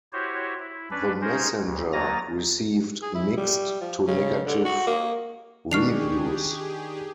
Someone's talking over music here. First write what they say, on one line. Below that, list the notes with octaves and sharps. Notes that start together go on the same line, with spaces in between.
"The Messenger" received mixed to negative reviews.
E4 F#4 G4 C5 C#5
E4
C#4 D4 B4 D5
C#4 D#4 G#4 A#4 C5
D2
F#3 A#3 A#5 D#6 A6 A#6
G#4
E4
G3
F3
C#3
D3
F#4
A#3
D#3 D4 G4 G#4 C#6 F6 C7 F7